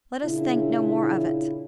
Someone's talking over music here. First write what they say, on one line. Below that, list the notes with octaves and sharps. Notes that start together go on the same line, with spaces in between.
Let us think no more of it.
A#2 C#3 D4 E4